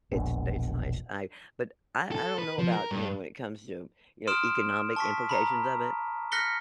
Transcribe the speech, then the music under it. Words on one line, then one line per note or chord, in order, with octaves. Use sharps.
It's they it's nice. I but I I don't know about, you know, when it comes to, you know, economic implications of it,
E1 A#1 B2
A4
B4
F3
A#4
G2
C6 D#6 F6 D7 E7
A5 C#6 B6
A#5 B5
F6 F#6 A#6 B6 C#7 G7